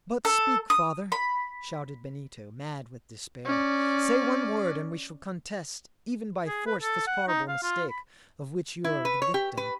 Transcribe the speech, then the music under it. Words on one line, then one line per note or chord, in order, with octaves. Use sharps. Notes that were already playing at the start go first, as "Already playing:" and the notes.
"But speak, father!" shouted Benito, mad with despair; "say one word, and we shall contest even by force this horrible mistake of which you are the victim!"
A4
D#6
B5
C#4 D5
G#4
B4
A4
F#5
D#4
F5
F4
B5
E4
B4
C#5
G4
B4